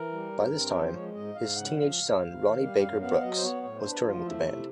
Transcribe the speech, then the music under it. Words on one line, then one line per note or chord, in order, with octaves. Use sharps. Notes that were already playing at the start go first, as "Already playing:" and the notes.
By this time, his teenage son Ronnie Baker Brooks was touring with the band.
Already playing: E3 A#4
G3
G2
C4
F3 B4
C5
G#3 C#5
G#2 D#5
G#2 F5
C#3 F#5
F3 F5
D2
D2
D#3
G3
F#2 F5
B3 F5
F#3 D#5
C5
B3 C#5
A2 C#5
C5
D4
B4
F3 F4
A3 E4
C3 E4